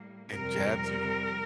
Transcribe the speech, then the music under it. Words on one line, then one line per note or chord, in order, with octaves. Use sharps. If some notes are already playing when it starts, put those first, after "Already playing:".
And jabs you.
Already playing: A2 G3 A#3
F2 C3 G3 A#4